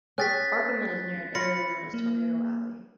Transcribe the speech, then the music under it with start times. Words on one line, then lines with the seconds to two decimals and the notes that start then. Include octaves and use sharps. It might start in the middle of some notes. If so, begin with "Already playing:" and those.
Arkoma is near an area known as Tornado Alley.
0.18 C#4 G4 G#4 F#6 A6 B6
1.35 F4 B5 A#6 C#7
1.94 A#3